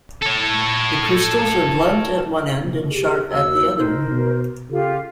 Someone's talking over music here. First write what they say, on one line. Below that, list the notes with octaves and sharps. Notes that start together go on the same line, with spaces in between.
The crystals are blunt at one end and sharp at the other.
A4 C#5
A#1
G4 G#4
D#2 F#4 E6
D#4 A#4 C5
B2
C#3 F4 G4 A4